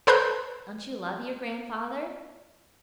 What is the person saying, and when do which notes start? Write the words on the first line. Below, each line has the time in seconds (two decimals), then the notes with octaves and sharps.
"Don't you love your grandfather?"
0.07 A4 B4 C5 A#5 F#6 G6